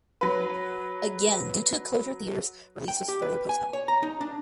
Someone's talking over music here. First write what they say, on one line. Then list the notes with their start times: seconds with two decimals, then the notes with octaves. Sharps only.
Again due to closure of theaters release was further postponed.
0.21 F#3 B4
2.88 G5
3.08 G4
3.22 B4
3.49 G#5
3.73 C#5
3.88 A#5
4.03 D#4
4.21 D4